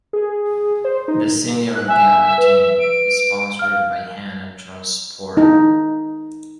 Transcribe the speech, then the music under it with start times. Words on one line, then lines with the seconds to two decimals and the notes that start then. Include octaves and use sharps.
The Senior Gaelic team is sponsored by Hannon Transport.
0.13 G#4
0.85 C5
1.08 D#4
1.75 F#6
1.88 E5 G#5
2.38 B4
2.79 D7
3.59 F5 F6
5.37 D#4